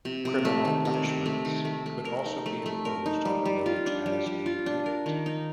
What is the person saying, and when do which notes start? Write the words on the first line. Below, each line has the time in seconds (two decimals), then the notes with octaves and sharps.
Criminal punishments could also be imposed on the village as a unit.
0.05 C3
0.25 C3
0.45 A3
0.65 D#3
0.85 C3
1.05 C3
1.26 A3
1.45 D#3
1.65 A3
1.86 A3
2.05 A#4
2.26 D#4
2.46 A3
2.66 A3
2.85 A#4
3.06 D#4
3.25 G3
3.45 G3
3.66 F4
3.86 D4
4.06 G3
4.26 G3
4.46 F4
4.66 D4
4.86 A#4
5.06 D#3
5.26 D#4